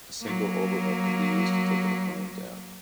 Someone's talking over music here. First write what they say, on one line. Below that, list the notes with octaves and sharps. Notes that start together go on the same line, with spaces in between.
A single overhook can be used to take an opponent down.
F#3 A#3